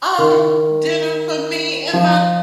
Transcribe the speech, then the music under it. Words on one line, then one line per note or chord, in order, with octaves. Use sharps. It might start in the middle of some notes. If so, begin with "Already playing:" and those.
"Um, dinner for me and my
D#3
F3